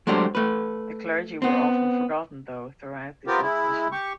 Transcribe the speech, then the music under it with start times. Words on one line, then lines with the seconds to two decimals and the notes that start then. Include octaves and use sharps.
The clergy were often forgotten though throughout this opposition.
0.07 F#3 G#3 A3 D4 G4 C5
0.35 A3 B4
1.42 B3 C4
3.27 B3 C4 F4 G4 A#4
3.42 G#3 E4
3.92 G4 C#6